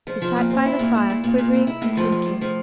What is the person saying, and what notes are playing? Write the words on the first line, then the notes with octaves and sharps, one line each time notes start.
He sat by the fire quivering and thinking.
F3
F3
A#2
C4
E4
A#2
E4
A#2
A#2
A#2
E4
E4
A2
F3
A2
A2
F3